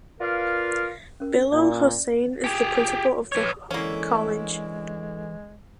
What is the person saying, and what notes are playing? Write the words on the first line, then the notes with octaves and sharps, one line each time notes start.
Bilal Hossain is the principal of the college.
F4 A#4 B4 D5 F5
C#4 A#4
A#2 D5
G4 G#4
B4 C#5
D3 E3 G#3 A#3 C#4 E4